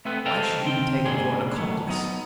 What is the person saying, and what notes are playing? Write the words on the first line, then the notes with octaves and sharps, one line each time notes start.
"Why should you be taken for an accomplice?"
A3 B3 C4 A4 B4
A4 C5 D#5 F5 G5 A5
D#3 C4 G5
G#2 C#3 A#3 D4 G#4 C6
F#3 A3
F#3 B3 D#4